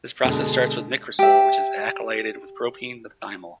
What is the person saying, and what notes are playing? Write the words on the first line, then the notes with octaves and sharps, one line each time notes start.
This process starts from m-cresol which is alkylated with propene to thymol.
B2 D3 G#3
G4 E5